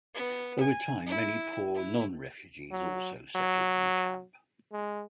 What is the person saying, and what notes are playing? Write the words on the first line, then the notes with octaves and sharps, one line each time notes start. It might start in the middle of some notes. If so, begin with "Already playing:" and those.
Over time many poor non-refugees also settled in the camp.
B3
G#5
E4
E4
F#3
F#3
G#3